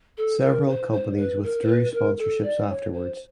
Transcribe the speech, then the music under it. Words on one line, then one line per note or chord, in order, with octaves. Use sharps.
Several companies withdrew sponsorships afterwards.
A4
A#4
C5
C5
B4
A#4
C5
B4
A#4
A4
D5
C#5
C5